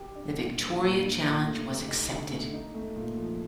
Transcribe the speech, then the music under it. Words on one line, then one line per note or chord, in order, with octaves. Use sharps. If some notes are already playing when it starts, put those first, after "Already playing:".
The Victoria challenge was accepted.
Already playing: G4
D4
A#2
G3
A#2
D4
A#2
A3
G4
D#4
D3
A3
D#4
A3
A#2
F3